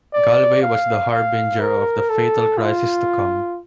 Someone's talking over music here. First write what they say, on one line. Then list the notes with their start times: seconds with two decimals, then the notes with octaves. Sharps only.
Galway was the harbinger of the fatal crisis to come.
0.13 D5
0.62 F5
1.11 F5
1.60 A#4
2.09 A4
2.58 F4